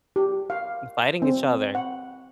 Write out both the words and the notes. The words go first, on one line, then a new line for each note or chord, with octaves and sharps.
fighting each other,
G4
F5
C4
F#5